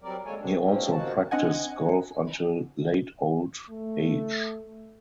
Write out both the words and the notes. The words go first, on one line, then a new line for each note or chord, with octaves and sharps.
He also practiced golf until late old age.
F#3 G3 C4 A#4 D5
D3 G#3 A#3 A4 C#5 G#5
C4 D4
G#2 B2 F3 A#3 C4 C#4
G2 B2 F3 A#3 F#4 A5
C4 D4 D#5 F#5 G#5
A3